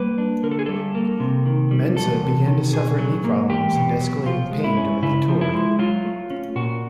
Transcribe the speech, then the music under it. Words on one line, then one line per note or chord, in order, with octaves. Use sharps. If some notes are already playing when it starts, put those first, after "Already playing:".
Menza began to suffer knee problems and escalating pain during the tour.
Already playing: G3 A#3 B4
D4
D3 A#4
A4
G#4
G3 A4
A#3
C3
D#3
G3
E2 A4
C3
D#3
B2 G#4
F#3
A#3
E2 G4
B2
F#3
F3 F4
G#3
E4
C#4
C#3 E4
F3
E4
G#3
F#3 F4
A3
C#4
A#2 F#4